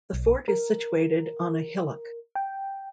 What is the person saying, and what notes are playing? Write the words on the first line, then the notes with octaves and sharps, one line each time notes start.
The fort is situated on a hillock.
B1
A#4
G5